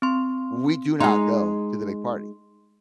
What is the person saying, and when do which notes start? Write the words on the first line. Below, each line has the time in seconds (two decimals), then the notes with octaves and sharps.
We do not go to the big party.
0.02 C4 C6
1.00 G#3 D#4 C6